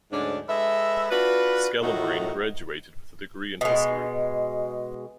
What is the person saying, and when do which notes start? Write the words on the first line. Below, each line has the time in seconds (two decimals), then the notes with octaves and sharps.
Scalabrine graduated with a degree in history.
0.12 D2 G#2 F#3 C#4 D4 D5
0.48 G#3 A4 B4 E5
1.10 D4 F4 F#4 B4
1.81 D#2 A2 A3 D#4 F4 F#4
3.61 B2 G#3